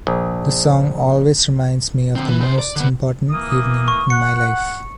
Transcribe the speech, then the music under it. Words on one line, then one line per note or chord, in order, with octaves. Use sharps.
This song always reminds me of the most important evening in my life.
A#1
D3 C4
E3
C#3 C5
D5
D3 B3
E3 A#3 D#6
C#6
F#5 C#7